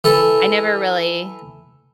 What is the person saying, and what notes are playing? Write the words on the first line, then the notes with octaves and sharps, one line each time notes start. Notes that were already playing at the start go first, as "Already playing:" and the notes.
I never really
E3 A4